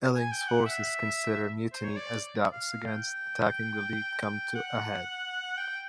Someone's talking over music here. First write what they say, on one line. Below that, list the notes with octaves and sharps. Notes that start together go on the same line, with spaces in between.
Eiling's forces consider mutiny as doubts against attacking the League come to a head.
G#5
G5
F#5
E5
C5
C#5
D5
F5
G5
G5
F#5
G5